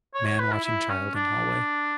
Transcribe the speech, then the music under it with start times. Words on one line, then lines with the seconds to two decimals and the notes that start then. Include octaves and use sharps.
Man watching child in hallway.
0.14 C#5
0.27 C#5
0.39 B4
0.52 E4
0.64 E4
0.90 C#4
1.15 D4